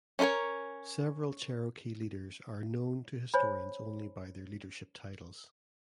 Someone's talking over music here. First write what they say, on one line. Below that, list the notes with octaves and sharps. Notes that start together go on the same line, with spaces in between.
Several Cherokee leaders are known to historians only by their leadership titles.
C#4 E4 F4 A#4 C#5
C5 C#5 G#5 B5